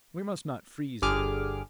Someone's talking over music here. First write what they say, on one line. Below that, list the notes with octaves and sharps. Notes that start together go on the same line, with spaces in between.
"We must not freeze here."
G1 D3 G4 G#4 D6 F6